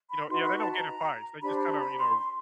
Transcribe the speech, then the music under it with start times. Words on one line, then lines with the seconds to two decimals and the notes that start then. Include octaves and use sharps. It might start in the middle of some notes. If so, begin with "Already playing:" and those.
you know yeah, they don't get in fights, they just kinda, you know,
0.10 B5
0.29 D#4 F#4 B4 C6
0.43 B5
0.58 A5
0.71 A#5
1.41 D4 G4 C5 B5
1.61 A#5
1.79 B5
1.98 C6
2.16 C6